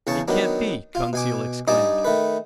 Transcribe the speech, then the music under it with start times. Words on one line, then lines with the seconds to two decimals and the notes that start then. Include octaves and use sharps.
"It can't be!" Conseil exclaimed.
0.07 E2 C#3 C#4 C#5 A5 C#6
0.28 D#3 F#3 B3 D4
0.95 F4
1.13 B2 G#5 D6
1.68 G2 D#4 D5 D#5 G#5 D6
2.05 D#3 A3 B4